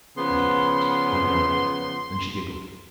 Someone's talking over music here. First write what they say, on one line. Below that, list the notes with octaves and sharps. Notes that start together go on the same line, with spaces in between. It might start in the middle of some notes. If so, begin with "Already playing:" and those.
"Cut it out," I growled, and she giggled.
C#3 F3 B3 C6